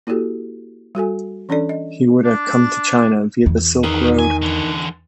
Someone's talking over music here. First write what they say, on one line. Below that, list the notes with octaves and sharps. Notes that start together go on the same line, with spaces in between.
He would have come to China via the Silk Road.
A#3 E4 F#4 G4 A4
G3 F#4 A4 G#5
E3 C#4 D4 A4 D5
D#5
D4
E2
D#3 G#4 B4
G#5
D3 E3